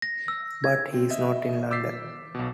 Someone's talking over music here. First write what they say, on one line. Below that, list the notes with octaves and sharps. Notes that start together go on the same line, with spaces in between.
But he's not in London?
A#6
E6
G#6
C4
D#5 E5
D6 E6 G6 A6 B6 C7
B1 B2